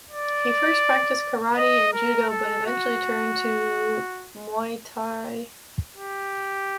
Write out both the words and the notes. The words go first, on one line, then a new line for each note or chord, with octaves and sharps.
He first practiced karate and judo but eventually turned to Muay Thai.
D5
D#5
A#4
A4
F#4
G4